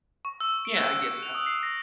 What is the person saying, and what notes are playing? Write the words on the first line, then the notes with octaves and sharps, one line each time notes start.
Yeah, I get that.
C#6
E6
D7
F#6
C#7
F7
D#6
C7
A#6